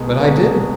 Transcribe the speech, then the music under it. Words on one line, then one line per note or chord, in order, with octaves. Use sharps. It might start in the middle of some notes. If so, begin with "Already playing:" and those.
"But I didn't."
Already playing: C2 B2 G#3
C2 B2 G#3